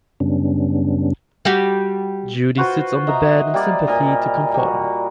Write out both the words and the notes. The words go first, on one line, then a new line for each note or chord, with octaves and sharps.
Judy sits on the bed in sympathy to comfort him.
F#2 C#3 G3 B3 C#4 D4
G3 F#4 G4
F4 F#4 B4 C5
D#5 E5 A#5
G3 A#3 D5
A#2 A#4 D#5
G3 F#4